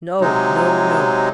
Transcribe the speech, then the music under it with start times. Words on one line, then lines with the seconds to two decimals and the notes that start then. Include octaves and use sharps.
"No, no, no!"
0.21 C3 F#3 G#3 D#4